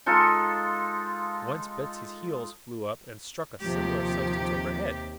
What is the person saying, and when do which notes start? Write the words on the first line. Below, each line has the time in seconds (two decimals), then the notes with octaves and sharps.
Once Betsy's heels flew up and struck a similar substance overhead.
0.06 G#3 D#4 F4 A4
3.63 D#2 C3 F3 G4